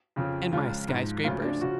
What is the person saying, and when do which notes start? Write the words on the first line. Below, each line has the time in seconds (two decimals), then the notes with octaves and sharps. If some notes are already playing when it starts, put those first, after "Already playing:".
"And my sky-scrapers?"
0.16 F2 C#3 F3
0.53 C#2 C#3 F3 F4
0.89 G#2 F3
1.24 D2 C#3 F3 F4
1.42 D4
1.61 C#3 F3 F#4